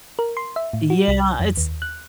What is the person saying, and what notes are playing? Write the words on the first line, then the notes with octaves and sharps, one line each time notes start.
Yeah, it's
A#4
C6
E5
A2
F#4
C2
F2
D#2
F#6